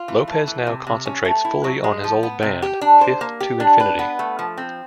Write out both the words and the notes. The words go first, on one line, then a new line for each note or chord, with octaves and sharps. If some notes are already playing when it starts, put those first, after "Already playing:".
Lopez now concentrates fully on his old band, Fifth to Infinity.
Already playing: F4
E3
A3
E3
C3
C3
C#4
A3
E4
F#3
G#3
F3
B3
C3
G4
D4
C5
A#3
G4
D4
B4
B3
A3
F3
C4